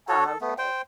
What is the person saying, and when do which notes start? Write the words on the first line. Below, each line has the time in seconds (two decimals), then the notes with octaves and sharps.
Oh, 'kay.
0.09 F#4 A4 C#5
0.26 A4
0.41 A3 B3
0.58 C5 G5